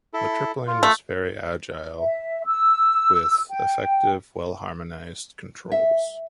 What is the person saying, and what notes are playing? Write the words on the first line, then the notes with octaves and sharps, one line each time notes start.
The Triplane was very agile, with effective, well-harmonised controls.
E4 A4
F4
A3
E5
E6
G5
E5